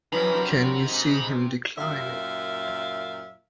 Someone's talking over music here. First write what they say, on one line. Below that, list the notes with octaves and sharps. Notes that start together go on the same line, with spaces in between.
Can you see him declining?
F2 E3 F#3 C4 G#4 A#5 B5
C3 D4 F#4 A#4 C5
G#2 D#4
F#2 A#2 E5 F5